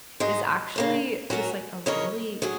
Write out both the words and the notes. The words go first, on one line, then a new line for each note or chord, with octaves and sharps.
is actually just, like, a really,
G#2 G#3 F#4
C#3 A#3 C#4
F#3 C#4 F#4 A#4
C#3 G#3 C#4 A#4 C#5
F#3 C#4 G#4